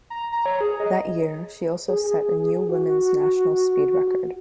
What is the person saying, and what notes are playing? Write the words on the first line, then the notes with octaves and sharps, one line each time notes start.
That year, she also set a new women's national speed record.
A#5
A#5
C#5
G#4
D#5
G#4
F#4